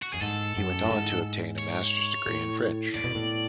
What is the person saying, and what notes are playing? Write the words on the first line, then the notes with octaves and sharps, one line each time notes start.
He went on to obtain a master's degree in French.
F#4
F#2 G#4
G#2 A4
F#2
A2
G#2
C#5
A2
A2 D5
B2
A2